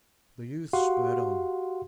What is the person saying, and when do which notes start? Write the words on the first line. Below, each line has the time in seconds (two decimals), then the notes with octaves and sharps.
The youths spurred on.
0.73 F#4 G4 F5 F#5 C6